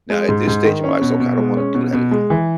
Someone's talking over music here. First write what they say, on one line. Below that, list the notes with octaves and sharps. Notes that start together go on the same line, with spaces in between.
now at this stage, I'm like, "So, okay, I don't wanna do that anymore."
G#3
G#2
G#2
D#3
C#4
B2
B2
G#3
C#4
B2
B2
G#3
E3